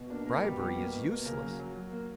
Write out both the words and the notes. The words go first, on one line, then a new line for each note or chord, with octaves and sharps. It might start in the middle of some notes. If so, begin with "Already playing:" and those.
Bribery is useless!
Already playing: B2
A#3 D4
A#3 A#4
B2 G3 G4
B2 G3 G4
A#3
B2
A#3
C#3 A#3 A#4
F#3
F#3
F#3
A#3